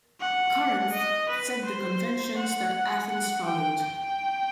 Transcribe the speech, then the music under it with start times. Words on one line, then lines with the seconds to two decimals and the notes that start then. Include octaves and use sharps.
Corinth set the conventions that Athens followed.
0.20 F#5
0.92 D#5
1.29 B4
1.65 C5
2.37 F#5
3.09 F#5
3.45 G5
3.81 G5